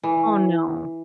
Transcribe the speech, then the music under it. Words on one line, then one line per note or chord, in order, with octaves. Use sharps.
Oh, no.
E3